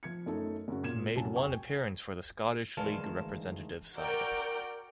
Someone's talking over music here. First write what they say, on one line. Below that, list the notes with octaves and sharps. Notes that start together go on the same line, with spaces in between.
He made one appearance for the Scottish League representative side.
F3 G#6 C#7
F#2 A3 D#4 A4
F#2 C#3 F#4
A#2 G#6 E7
C2 F#2 F#3 G#5 A5
G5 G#5 C#6
D2 D#3 E3 G#3 F5 A5
F#4 A#4 D5 G5 G6 D7